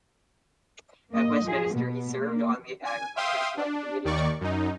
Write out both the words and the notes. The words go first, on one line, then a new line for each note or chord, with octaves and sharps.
At Westminster, he served on the Agriculture Select Committee.
A#3 D#5
F3 G#4
B2 B3
A#3
G#5
E5 F5 G5 C6 D#6
D4
D#2 D#3 D5 C#6
F#2 D#4